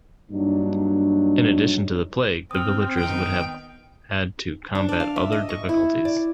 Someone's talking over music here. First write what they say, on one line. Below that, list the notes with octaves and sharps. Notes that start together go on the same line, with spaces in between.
In addition to the plague, the villagers would have had to combat other difficulties.
G2 F#3 A#3 D4 D#4
C4 D#6 F6
D#3 B3 D#4 G5
D4
D5
F5
E5
D#5
C#6
E4
D5